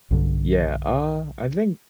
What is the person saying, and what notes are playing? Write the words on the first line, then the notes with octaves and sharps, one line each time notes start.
Yeah, uh, I think
B1 G2 D3